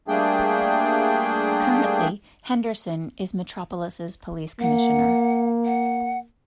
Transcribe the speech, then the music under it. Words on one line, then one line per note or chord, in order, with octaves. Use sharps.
Currently, Henderson is Metropolis' police commissioner.
G3 A3 A#3 D4 G#4 G5
A#3 F#5
F#5